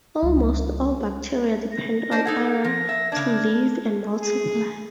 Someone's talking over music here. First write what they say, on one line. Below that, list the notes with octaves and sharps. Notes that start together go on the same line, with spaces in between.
Almost all bacteria depend on iron to live and multiply.
C#2 G3
A#6
D4 C5 D#5
D#4 A4 F#5 G#6
F3 A#6
E5
C#3 D4 G#6
G#4